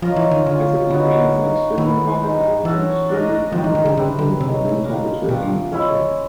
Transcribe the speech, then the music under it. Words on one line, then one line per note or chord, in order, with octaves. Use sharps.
Isopentane is an extremely volatile and extremely flammable liquid at room temperature and pressure.
F3 C#4 F4 A#4 D#5
E3
D#3
D3 C#4 F4 G#4
D3 F#3 B3 D#4 F#4
A#3 D#4 G#4
D#3 B3 E4 G#4 B4
D#4 G#4 C5
E3 C#4 F#4 A4
D4 F#4 A#4 D#5
F3 D#4 G4 C5
E3
D#3
D3
C#3 D4 G4 B4 E5
D3
C3 D#4 G#4 C#5 E5
D4 F4 A#4 D#5
B2 F3 A3 D4 G4
G#3 C#4 E4